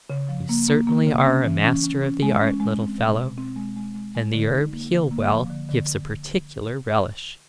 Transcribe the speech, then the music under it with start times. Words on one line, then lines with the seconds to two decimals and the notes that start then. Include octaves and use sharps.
'You certainly are a master of the art, little fellow, and the herb heal-well gives a particular relish.'
0.10 C#3
0.29 F3
0.49 A#3
0.68 A#3
0.87 A#3
1.07 C#3
1.25 C#4
1.45 E3
1.64 C#4
1.83 C#4
2.02 C#4
2.22 G#3
2.41 C#4
2.60 G#3
2.79 C4
2.98 B2
3.18 B2
3.38 C4
3.56 G#3
3.76 G#3
3.94 G#3
4.15 G#3
4.34 D3
4.52 D#4
4.73 A#3
4.92 D3
5.11 A#3
5.30 F3
5.50 D3
5.69 D3